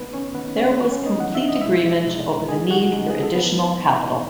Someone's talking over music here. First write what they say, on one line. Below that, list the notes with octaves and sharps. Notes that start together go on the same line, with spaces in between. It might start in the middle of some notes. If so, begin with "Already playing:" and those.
There was complete agreement over the need for additional capital.
Already playing: D#3 A3 B3 D#4 B4
C#4 C#5
D#3 A3 B3 D#4 B4
C#4 C#5
E3 A3 B3 C#4 B4
C#4 C#5
D#4 D#5
E3 A3 C#4 F#5
E5
D#5
B2 G#3 D#4 E4 E5
B2 G#3 D#4
C#3 G#3 D#4 G#4 G#5
F#4 F#5
C#3 G#3 D#4
G#4
A4
E3 B3 D#4 B4
E3 B3 D#4